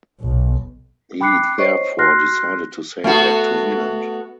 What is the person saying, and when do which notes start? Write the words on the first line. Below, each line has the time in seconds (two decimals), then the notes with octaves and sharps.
He therefore decided to sail back to England.
0.22 B1
1.21 G5 B5 D6 F#6 C7 C#7
1.58 C5 C#5 D#5 C#6 C7
1.98 F#4 C6 F6 F#6 A#6 C7
3.04 A3 B3 F#4